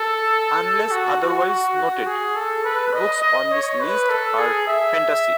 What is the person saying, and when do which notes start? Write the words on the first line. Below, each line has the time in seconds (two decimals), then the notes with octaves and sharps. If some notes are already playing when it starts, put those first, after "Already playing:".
Unless otherwise noted, books on this list are fantasy.
Already playing: A4
0.91 F#4
1.21 F#4
1.49 F#4
1.78 F#4
2.07 G#4
2.36 A4
2.65 B4
2.93 D#5
3.23 D#5
3.52 C#5
3.81 B4
4.10 A4
4.39 G#4
4.68 E5